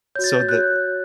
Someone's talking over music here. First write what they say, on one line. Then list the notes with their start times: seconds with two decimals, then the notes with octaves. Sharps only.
so the
0.15 F#4 C#5 G6
0.24 A6
0.40 G6
0.49 F#4 C#5 F#6